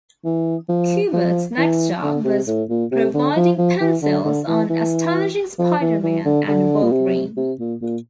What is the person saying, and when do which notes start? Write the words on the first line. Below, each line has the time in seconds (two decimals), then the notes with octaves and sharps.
Kubert's next job was providing pencils on "Astonishing Spider-Man and Wolverine".
0.25 E3
0.69 F3
1.13 F3
1.58 E3
2.02 D3
2.25 C3
2.47 A2
2.69 A#2
2.92 C3
3.14 D3
3.36 F3
3.58 F3
3.81 E3
4.02 D3
4.25 D3
4.47 E3
4.70 E3
5.59 F3
5.81 E3
6.03 E3
6.25 D3
6.48 D3
6.82 A#2
6.92 C3
7.37 C3
7.59 A#2
7.82 A#2